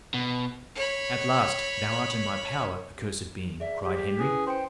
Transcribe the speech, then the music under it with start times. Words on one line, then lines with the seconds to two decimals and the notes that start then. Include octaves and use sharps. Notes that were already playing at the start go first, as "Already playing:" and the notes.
"At last, thou art in my power, accursed being!" cried Henry.
0.14 B2
0.75 C#5 B5
3.60 G#4 D5 E5
3.82 G4
4.19 C#4 E4 G#4 B4
4.47 C5 G5 C6 C#7